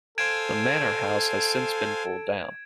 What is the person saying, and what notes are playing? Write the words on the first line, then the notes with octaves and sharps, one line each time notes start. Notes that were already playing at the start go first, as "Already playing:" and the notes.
The manor house has since been pulled down.
A4 C5 F5 G#5 G#6 D7 E7